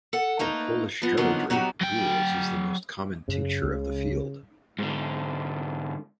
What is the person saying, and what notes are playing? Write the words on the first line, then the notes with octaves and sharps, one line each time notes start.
In Polish heraldry, gules is the most common tincture of the field.
A4 F#5
A3 A#3 D#4 B4
F3 B3
D3 F3 F#3 A#3 B3 D#4
F#3 B3 D#4 F#4 G4
F#3 G5
F#2 C#3
C#2
G#2 D3